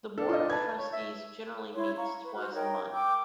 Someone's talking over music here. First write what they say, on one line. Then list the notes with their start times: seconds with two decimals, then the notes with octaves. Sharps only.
The board of trustees generally meets twice a month.
0.18 D4 A4
0.29 F4 D#5
0.50 B4 A5 G#6
0.79 C#5
0.92 E5
1.74 E4 C#5 C6
1.96 F5 A#5 C#6
2.22 B4
2.35 F#4 C5 F6 F#6
2.54 D#4 A#4 C#5 G5
2.92 G5 D6 E6 G6